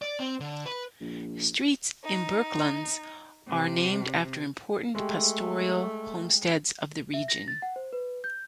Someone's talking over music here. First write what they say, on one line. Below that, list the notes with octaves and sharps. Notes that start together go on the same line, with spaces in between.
Streets in Bourkelands are named after 'Important pastoral homesteads of the region'.
D5
C4
D3
B4
A#1
D#4
C3
G#3 A3 G4
E5
A#6
A6
F#5
C5
B4
G6